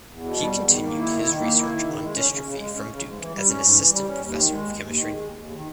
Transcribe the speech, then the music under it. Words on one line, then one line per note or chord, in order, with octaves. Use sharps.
He continued his research on dystrophy from Duke as an assistant professor of chemistry.
E2
B2
G3
E2
D#3
A#3
E4
D#3
D#3
A#3
E4
D#3
C#3
G#3
C#4
C#3
C#3
G#3
C#4
C#3
G#2
E3
G3
C#4
G#2
E3
G3
C#4
D#2
D#3
G#3
D#2
D#2
D#3
G#3
D#2
D#2
D#3